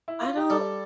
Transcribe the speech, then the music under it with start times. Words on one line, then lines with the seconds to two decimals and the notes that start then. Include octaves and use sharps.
I don't
0.08 E4
0.23 F4
0.37 G4
0.50 G3 A4